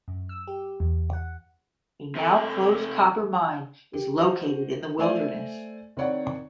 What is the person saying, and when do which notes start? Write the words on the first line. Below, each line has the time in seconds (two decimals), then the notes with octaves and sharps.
A now closed copper mine is located in the wilderness.
0.08 F#2
0.29 E6
0.47 G4
0.80 E2
1.13 F#5
2.15 C3 A4
3.93 G4
4.17 F#4 C5 D#5
4.98 A3 C5 D5 E5 G#5
5.97 D#3 C4 C#5 D5 F#5